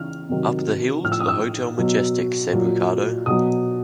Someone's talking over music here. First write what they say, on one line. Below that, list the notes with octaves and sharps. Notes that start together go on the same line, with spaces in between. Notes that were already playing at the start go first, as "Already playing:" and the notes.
"Up the hill to the Hotel Majestic," said Ricardo.
Already playing: C#3 E3 F6
C3 D#3 F#3
A2 F3 F6
E6
D#6
E6
B2 F#3
A#2 F#3
B2 F#3 D#6